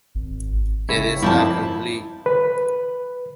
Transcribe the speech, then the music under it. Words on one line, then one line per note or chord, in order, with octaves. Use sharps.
It is not complete.
G#1
C#2 E4 C#5
F2 F3 A#3 E4 C5 A5
B4